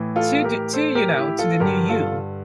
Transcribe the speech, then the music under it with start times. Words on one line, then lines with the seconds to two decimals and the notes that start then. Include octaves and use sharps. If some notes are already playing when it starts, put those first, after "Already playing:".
To do to, you know, to the new you
Already playing: A2 E3
0.16 F4 A4
0.44 G4 A#4
0.73 A4 C5
0.95 G4 A#4
1.17 E4 G4
1.39 F4 A4
1.60 G2 D3 G4 A#4
1.89 F4 A4